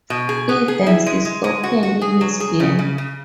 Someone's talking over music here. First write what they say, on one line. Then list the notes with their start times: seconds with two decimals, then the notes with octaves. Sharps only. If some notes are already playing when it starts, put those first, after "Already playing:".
Evans is openly lesbian.
0.10 B2
0.29 G#4
0.49 B3
0.68 G#4
0.86 E4
1.06 G#3
1.25 G#3
1.44 G#3
1.63 F#4
1.83 F#4
2.01 G#4
2.21 F#3
2.40 G#4
2.60 C#3
2.79 C#3
2.98 C#3